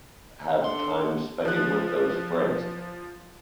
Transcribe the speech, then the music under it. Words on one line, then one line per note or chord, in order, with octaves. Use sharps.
have time spending with those friends.
D4 A4 F#5 C6
F3 F#6